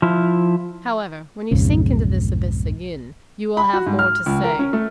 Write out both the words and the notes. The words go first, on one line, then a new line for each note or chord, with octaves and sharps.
However, when you sink into this abyss again, you will have more to say.
F3 E4
B1 F2 G#2 C#3
B5
F#4
G#2
F6
C#2
A#4
C#4
A3